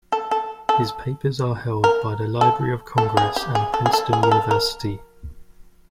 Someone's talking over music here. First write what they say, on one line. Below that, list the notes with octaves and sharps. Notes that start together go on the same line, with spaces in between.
His papers are held by the Library of Congress and Princeton University.
A4
A4
A4
A#4
A4
A4
G#4
G4
G#4
A4
G#4
A4
G#4
A#4
A4
A#4